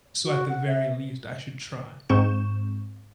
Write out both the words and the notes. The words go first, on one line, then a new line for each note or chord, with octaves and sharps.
So, at the very least, I should try.
F#4
F#5
E5
G#2 C4 C#6 G6 E7